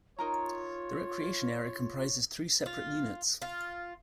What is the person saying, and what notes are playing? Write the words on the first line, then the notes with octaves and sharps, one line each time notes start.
The recreation area comprises three separate units.
D#4 F4 A#4 C#5 A#5
F4
F4